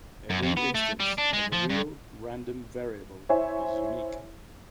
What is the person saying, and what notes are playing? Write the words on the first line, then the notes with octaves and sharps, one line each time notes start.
Every instance of a real random variable is unique.
F#2
F2
B3
A3
G3
D4
G#3
F3
G2
E4 C5 C#5 E5 G#5